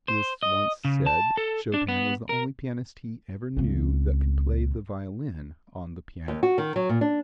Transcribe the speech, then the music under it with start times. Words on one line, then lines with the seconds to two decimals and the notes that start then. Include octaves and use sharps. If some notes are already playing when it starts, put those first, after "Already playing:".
Liszt once said Chopin was the only pianist he ever knew that could play the violin on the piano.
0.08 C5
0.43 D#5
0.85 C#3
1.06 A5
1.37 A4
1.74 D4
1.88 B3
2.29 A#4
3.57 C#2 C4
6.28 D#2
6.43 F#4
6.58 D#3
6.76 F#3
6.89 A#2
7.01 D4